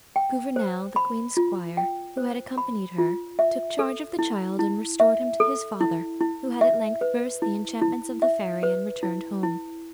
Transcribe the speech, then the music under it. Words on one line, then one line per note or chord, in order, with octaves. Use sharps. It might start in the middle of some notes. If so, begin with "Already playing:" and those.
Gouvernail, the queen's squire, who had accompanied her, took charge of the child, and restored him to his father, who had at length burst the enchantments of the fairy, and returned home.
G5
C5
B5
F4
G5
C5
B5
F4
E5
A4
E4
E4
E5
A4
E4
E4
E5
B4
E4
E4
E5
B4
E4
E4